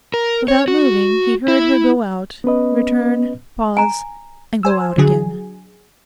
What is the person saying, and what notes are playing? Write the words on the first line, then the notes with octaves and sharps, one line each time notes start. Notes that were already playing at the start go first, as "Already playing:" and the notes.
Without moving he heard her go out, return, pause, and go out again.
A#4
C#5
F#4
E4
B3 C#4 B4 D#5
G#5 A#5
C5 G#5 E6
D3 F#3 G#4